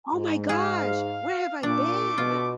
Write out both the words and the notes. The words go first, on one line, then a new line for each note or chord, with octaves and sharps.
Oh my gosh, where have I been?!
G#2
G#4 F5
A#2 A3 D4 D6
B2 F4